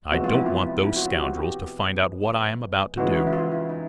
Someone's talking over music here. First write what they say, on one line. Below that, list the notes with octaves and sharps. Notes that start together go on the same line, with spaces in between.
I don't want those scoundrels to find out what I am about to do.
C3 F3 G#3 B3 F#4
F4
E4
F4
E4
F#4
F4
G4
F#4
G4
C#3 E3 G#3 F#4
E4
E4
F4
E4
D#4